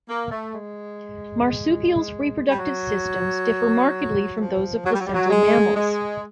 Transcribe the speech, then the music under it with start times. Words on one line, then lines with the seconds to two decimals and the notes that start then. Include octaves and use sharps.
Marsupials' reproductive systems differ markedly from those of placental mammals.
0.09 A#3
0.31 A3
0.55 G#3
2.49 G3
2.58 F#3
4.40 F3
4.85 F#3
4.92 G3
5.00 F#3
5.07 G3
5.14 F#3
5.30 G#3
5.75 G#3